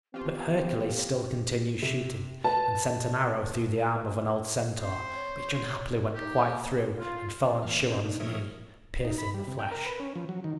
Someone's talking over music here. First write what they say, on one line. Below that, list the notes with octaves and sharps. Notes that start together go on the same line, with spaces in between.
But Hercules still continued shooting, and sent an arrow through the arm of an old Centaur, which unhappily went quite through and fell on Chiron's knee, piercing the flesh.
F3 B3 C4 F4 G4
C3
B4 A5
C4 C5
C#5
D#4 G4
A#3
F4
C3 E3 A#3 F5
A3 C4 C#4 D#4 G4 G#4
A#2 D4 D#4
F3 A3 A#4 C#5 E5 D#6
D#4
B5
G3
C3
G5
A#4
B4
C#4
F3
F#3
D#3